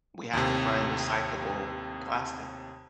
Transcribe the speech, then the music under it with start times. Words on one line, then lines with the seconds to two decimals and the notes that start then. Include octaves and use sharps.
we have to find recyclable plastic.
0.33 D#2 A2 C3